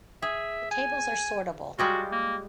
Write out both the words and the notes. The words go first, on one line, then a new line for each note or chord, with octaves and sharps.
The tables are sortable.
G#4 E5
G#5
G3 G#3 F4 F#4
A#3